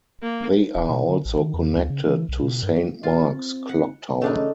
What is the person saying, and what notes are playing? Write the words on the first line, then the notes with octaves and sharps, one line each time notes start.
They are also connected to Saint Mark's Clocktower.
A#3
D#1
B2
D3
A1
D#3
E2
D2
C#3
E3
B1
B2
G2
B2 F4
C4
F#5
C#3 A3 D4 D#4